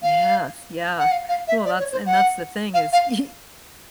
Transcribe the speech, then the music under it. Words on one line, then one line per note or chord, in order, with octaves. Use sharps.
Yes, yeah, well, that's and that's the thing is y
F5
F#5
F5
F5
E5
D5
C#5
C5
F#5
F5
F5